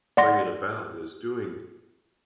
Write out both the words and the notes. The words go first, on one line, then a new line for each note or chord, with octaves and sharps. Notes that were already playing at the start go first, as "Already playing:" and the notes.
bringing about, is doing
D5 F#5 C6 A#6